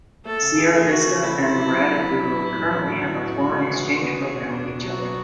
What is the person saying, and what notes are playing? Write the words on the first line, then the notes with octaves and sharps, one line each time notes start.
Sierra Vista and Radebeul currently have a foreign exchange program with each other.
A3 A4
C#3
C#3 G#4
A3
E3 F#4
C#3
A3 E4
C#3
F#3
F#3
D4
D4
F#3
A2
A2
F#3
A2 F#4
A2
A2
G#3
C#3
E3
C#3
B3
C#4 G#4
B2
B2 D4
B2
F#3 F#4
B3